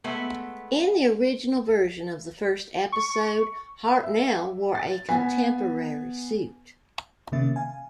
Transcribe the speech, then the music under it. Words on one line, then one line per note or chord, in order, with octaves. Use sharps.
In the original version of the first episode, Hartnell wore a contemporary suit.
G#3 A3 B3 E5
C#6
E5
A6
B3 G#5 B6
C3 D#3 A#3 C#4 E5 A6
F5 G#5